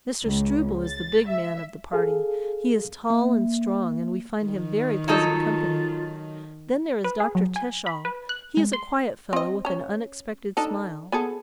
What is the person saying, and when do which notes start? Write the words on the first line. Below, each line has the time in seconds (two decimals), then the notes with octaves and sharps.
Mr. Struble is the big man of the party; he is tall and strong and we find him very pleasant company. Then there is Dr. Teschall; he is a quiet fellow with an unexpected smile.
0.23 C#2
0.85 A6
1.27 E5
1.92 G#4 A4 F5
3.10 A#3
4.45 D#3
5.08 F#3 D#4 F4 A4
7.05 B4
7.20 G#4
7.35 F#3
7.56 G#5
7.86 B5
8.05 B4
8.29 F#6
8.57 G#3
8.73 C6
9.33 C4 D#5
9.65 C#4 A#5
10.57 D4 D#4 A4
11.12 B3 G#4 A4